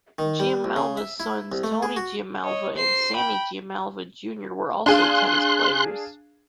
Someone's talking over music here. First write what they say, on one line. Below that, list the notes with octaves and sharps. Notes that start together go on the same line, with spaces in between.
Giammalva's sons, Tony Giammalva and Sammy Giammalva, Junior were also tennis players.
D#3
G3
C2
C#3
E5
E4
C2
A3
G#4
F#4
C#5 D#5
C5 C7
G5 B5
D4 G#4 F5 C6 F#6